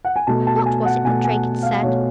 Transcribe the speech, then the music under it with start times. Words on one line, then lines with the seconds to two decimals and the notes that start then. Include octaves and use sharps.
What was it that Drake had said?
0.05 F#5
0.16 G#5
0.27 B2 A3 A5
0.47 A5
0.66 G#5
0.85 F#5
1.04 B2 A3 G#5
1.24 G#5
1.62 F5
1.82 B2 A3 C#5